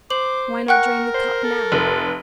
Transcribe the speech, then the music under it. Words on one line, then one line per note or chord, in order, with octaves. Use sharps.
Why not drain the Cup now?
C5 D6 F#7
A#4 F#5 G5 C#6 F#6
C5
A4
F1